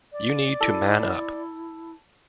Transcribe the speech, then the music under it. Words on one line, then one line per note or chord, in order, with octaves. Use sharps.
You need to man up!
D5
E4 A4